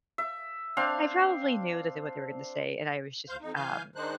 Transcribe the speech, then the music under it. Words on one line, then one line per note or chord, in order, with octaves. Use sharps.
I probably knew that they what they were gonna say, and I was just, um,
E5
C4 D4 F5
D2 C5 F5 G6
F2 D#4
E3 F5 G#5 G6
D#3 G#3 D4 D#4 C5 F#6